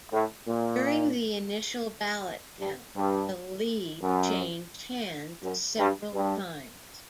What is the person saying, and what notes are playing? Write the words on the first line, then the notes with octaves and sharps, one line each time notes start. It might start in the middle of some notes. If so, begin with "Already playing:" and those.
During the initial ballot count, the lead changed hands several times.
A2
A#2
G2
G2
F#2
F#2
G2
G2